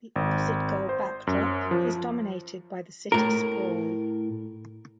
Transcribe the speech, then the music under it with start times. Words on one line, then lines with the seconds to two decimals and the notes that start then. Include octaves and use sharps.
The opposite goal backdrop is dominated by the city sprawl.
0.16 G#1
0.89 C5
1.27 F#2
1.71 F3
3.12 A2 A#4